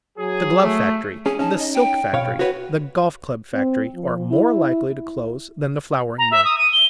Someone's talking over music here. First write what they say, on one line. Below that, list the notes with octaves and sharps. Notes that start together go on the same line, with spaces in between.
The glove-factory, the silk-factory, the golf-club-factory are more likely to close than the flouring-mill.
F#3 G#4
A3
C#4 G#4 G#5
C#4 D#4 A5
D#5
G5
B2 C#5 F5
F#4 B4 C#5
C4
F3
E4
A#5
E5
D#6
D#7
G7